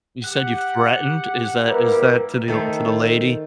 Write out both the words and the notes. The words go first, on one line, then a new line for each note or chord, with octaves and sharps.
You said you've threatened, is that is that to the to the lady?
G4 F#5 F#6
G3 A#3 E4 A#4 B4
D#3 A3 A4 C5